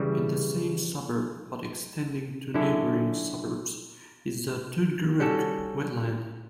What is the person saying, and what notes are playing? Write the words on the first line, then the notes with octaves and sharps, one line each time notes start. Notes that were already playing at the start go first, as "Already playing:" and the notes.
In the same suburb, but extending to neighbouring suburbs, is the Tootgarook Wetland.
Already playing: C#3 E3 G3
D3 F#3 C#4 E4 A4
G3 C#4 F#4 A4